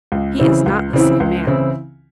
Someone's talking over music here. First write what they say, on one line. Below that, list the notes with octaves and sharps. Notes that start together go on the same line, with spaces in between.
He is not the same man.
C#2
C#3 E3 C4 E4
C#2
C#3 E3 C4 E4
C#2
C#3 E3 C4 E4